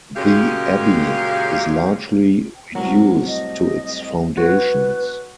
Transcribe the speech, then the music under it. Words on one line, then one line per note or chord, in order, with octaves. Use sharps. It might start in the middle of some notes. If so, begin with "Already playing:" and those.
The abbey is largely reduced to its foundations.
F#2 A#2 C#3 G#3 G4 F5
C2 A2 F#3 A3
D#5
F#4 B4 C#5